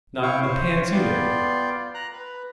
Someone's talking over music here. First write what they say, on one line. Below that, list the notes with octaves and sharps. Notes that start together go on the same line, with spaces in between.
Not in the pants, either?
E4 F5 G5 C#6
C5 C#5
B3 F4 D5 G5 C6
A#5 F#6
B4